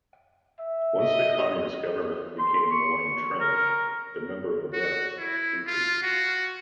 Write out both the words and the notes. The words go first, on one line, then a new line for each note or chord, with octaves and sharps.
Once the Communist government became more entrenched, the number of arrests increased.
E5
D#5
C6
C#6
A#4
F#4
E4
F4
F#4